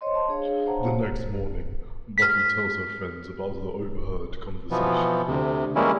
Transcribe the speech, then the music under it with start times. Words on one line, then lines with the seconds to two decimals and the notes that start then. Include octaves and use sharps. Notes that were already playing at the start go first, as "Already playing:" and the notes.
The next morning, Buffy tells her friends about the overheard conversation.
0.01 C5 C#5 D#5 C6
0.15 D#5 A5 C6
0.28 D4 G#4 C#5 F5
0.66 C5 C#5 F5 F#5 A5 A#5
0.92 C5
2.18 F6 B6
4.71 B2 E3 F3 B3
5.27 D2 C3
5.75 E3 G3 G#3 A#3 C#4 E4